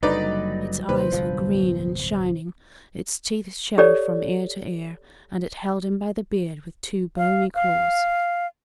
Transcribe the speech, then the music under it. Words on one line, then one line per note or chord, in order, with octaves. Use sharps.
Its eyes were green and shining, its teeth showed from ear to ear, and it held him by the beard with two bony claws.
F#1 D3 F#3 G3 D#4 B4 D5 D#5
D#2 C3 B4 C5
D1 G1 F3
G4 A4 C#5 D5
F5
F5